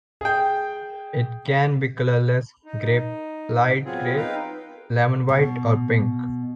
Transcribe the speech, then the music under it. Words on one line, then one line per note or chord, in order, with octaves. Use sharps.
It can be colorless, gray, light gray, lemon white, or pink.
G#4 G5
D#4
F#3 B3 C4 F4 G#4
D#4 B4 F5 G5
B2